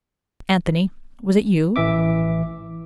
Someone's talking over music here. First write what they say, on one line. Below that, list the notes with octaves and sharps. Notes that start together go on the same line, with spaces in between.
"Anthony, was it you?"
A1 E3 E5 D6